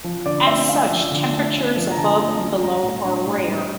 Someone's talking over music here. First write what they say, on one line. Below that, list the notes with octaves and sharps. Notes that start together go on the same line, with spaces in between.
As such, temperatures above and below are rare.
F3
D3 D5
A3 E5
C#4 F5
F3
D3
A3
C#4
F3
A#5
D3 A5
A3
C#4
G3 A#5
A2
D4
A2
G3